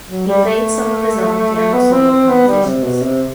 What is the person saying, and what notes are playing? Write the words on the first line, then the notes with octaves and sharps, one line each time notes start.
He played some of his own piano solo compositions.
F#3
G3
A3
A3
B3
C4
C4
B3
G3
C3
B2
C3